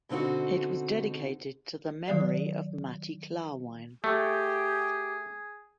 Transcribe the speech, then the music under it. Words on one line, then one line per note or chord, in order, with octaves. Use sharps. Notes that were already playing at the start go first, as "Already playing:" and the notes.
It was dedicated to the memory of Mati Klarwein.
B2 D3 C4 D#4 F#4
D#3 F#3 D5
A3 G4 G#4